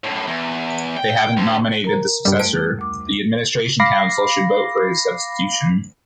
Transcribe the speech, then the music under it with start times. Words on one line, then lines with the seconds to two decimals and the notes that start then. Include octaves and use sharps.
They haven’t nominated the successor; the administration council should vote for his substitution.
0.04 F#2 A2
0.27 E2
0.97 G5
1.37 D2
1.84 A#4 A#5
2.25 G2 G3
2.39 F2 G3 A3 D7
2.79 D2 D6
3.80 F5 B5 D6 A#6 C7